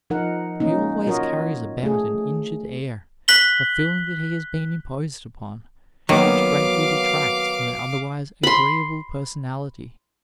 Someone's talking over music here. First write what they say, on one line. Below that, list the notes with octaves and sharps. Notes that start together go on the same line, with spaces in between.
He always carries about an injured air, a feeling that he has been imposed upon, which greatly detracts from an otherwise agreeable personality.
F3 D#4 A#4 F#5
A#3 C#4 D#4
F4 F#4 A#4 C#5 D#5
A3 G#4
F#6 B6 F#7 G7
D#3 F#3 A#3 B3 F5 D6
B5 C6